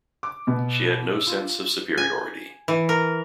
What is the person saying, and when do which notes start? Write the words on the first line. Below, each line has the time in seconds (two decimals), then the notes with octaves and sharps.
She had no sense of superiority.
0.23 D6
0.47 B2
1.13 E6
1.27 F4
1.98 G#5
2.68 E3
2.89 A#4